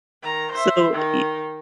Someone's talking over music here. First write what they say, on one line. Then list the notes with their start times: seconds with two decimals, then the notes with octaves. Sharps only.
So, y
0.23 D#3 A#5
0.52 C5 E5
0.92 D#3 D#4